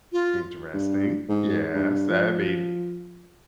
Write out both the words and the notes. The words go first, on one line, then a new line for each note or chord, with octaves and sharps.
Interesting. Yes. That'd be
F4
G2
G#2
G2
F3